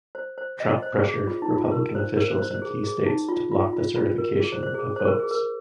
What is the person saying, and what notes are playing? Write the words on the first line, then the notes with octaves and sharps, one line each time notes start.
Trump pressured Republican officials in key states to block the certification of votes.
C5
C5
D#5
C5
G#4
F4
D#4
F4
A#4
C5
A#4
C5
C5
C5
G#4
G#4
D#4
F4
F4
F4
F4
A#4
G#4
C5
C5
G#4
C5
A#4
G#4
A#4